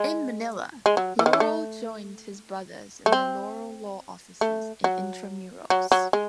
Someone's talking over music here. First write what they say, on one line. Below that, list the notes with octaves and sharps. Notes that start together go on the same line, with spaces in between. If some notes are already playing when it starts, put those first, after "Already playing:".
In Manila, Laurel joined his brothers in the Laurel Law Offices in Intramuros.
Already playing: G#3
G#3
F#3
E3
D#3
E3
A3
A3
C4
A3
F#3
F#3
F#3
G#3